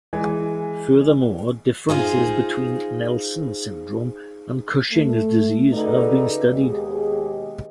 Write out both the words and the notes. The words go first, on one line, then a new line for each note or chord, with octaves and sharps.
Furthermore, differences between Nelson syndrome and Cushing's disease have been studied.
E3 G#3
D#4 F4 G#4 C5
A3
C#3 D#4 F#4 A4 B4 D5
D#2 B2 G#3 G4 G#4 D#5